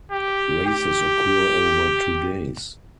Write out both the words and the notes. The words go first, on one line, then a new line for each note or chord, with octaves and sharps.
Races occur over two days.
G4
G4